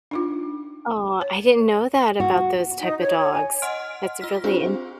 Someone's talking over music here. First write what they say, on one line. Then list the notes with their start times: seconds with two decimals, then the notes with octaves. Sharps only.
Oh, I didn't know that about those type of dogs. That's really interesting.
0.11 D4 D#4 F4
1.21 C#5
2.20 F#4
2.80 D#4
3.00 C#5
3.18 C#5
3.31 G#5
3.62 D#5 F#5 C6 F6 D7
4.21 F4 F6 B6
4.44 C4 D4 F4 G4 G#4 C5